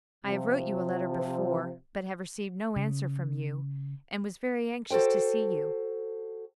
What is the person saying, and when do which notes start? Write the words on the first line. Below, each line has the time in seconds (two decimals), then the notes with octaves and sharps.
I have wrote you a letter before, but have received no answer from you, and was very anxious to see you.
0.24 C3 F3
2.76 C#3
4.90 F#4 A4 B4 C5 G5